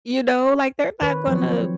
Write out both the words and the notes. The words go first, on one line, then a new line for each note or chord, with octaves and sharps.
You know? Like, they're not gonna
D#3 B4 C#5
F3 F#3 C4 C5 C#5